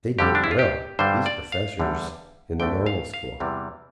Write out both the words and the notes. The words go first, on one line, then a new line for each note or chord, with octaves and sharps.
They do it well, these professors in the Normal School!
F2 D3 G3 G4
D4
E4
F4
G4
G2 D3 G3 C5
D5
F5
E2 D3 G3
D2 D3 A3 G5
F5
F5
E2 C3 E3 G3